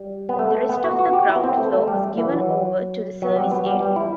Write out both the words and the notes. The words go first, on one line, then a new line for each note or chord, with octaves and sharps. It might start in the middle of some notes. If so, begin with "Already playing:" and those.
The rest of the ground floor was given over to the service areas.
Already playing: G3
B3
A3
B3
F#4
F#4
G4
E4
B3
C4
A3
A3
G3
E3
F#3
F#3
G3
B3
G3
G3
E4